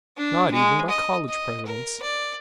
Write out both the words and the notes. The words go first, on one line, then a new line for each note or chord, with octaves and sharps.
Not even by college presidents.
D4
G#3
D#5
D#5
A#4
D5